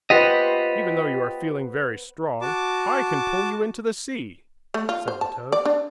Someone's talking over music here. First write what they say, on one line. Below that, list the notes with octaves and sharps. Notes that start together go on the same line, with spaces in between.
"Even though you are feeling very strong I can pull you into the sea," said the toad.
F4 G4 B4 C5 D#5 F#5
F#4 A5 D6
A3
F4
C5
A5
D5
D4